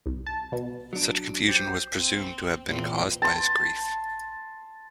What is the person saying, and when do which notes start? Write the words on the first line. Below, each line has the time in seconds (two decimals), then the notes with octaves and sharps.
Such confusion was presumed to have been caused by his grief.
0.06 C2
0.26 A5
0.52 B2
0.93 F#3 D4
1.48 G4 C5
1.97 C4
2.67 E2 A#2 C4
3.22 A5 C6